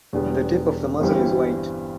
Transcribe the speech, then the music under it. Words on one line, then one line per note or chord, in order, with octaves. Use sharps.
The tip of the muzzle is white.
E1 E2 D3 G3 B3
G1 G2 E3 G3 C4